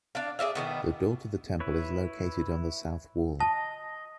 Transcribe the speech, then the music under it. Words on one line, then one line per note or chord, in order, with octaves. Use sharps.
The door to the temple is located on the south wall.
D4 D5 F5
G#4 D5 E5 F5
B2 D#3 B3
E4 B4 C#5
D#5 A5